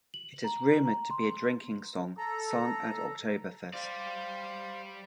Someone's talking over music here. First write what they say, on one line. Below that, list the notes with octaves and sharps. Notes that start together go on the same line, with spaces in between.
It is rumored to be a drinking song sung at Oktoberfest.
F#7
A#5
A#5
C6
A4 A#5
G3 C5 D5 F5